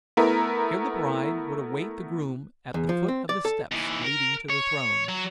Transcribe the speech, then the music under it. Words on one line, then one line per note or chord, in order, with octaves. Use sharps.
Here the bride would await the groom at the foot of the steps leading to the throne.
A3 B3 E4 A#4 B4
E2
F3
C4
D5
A4
D#2 E3
A#4
C#5
F#3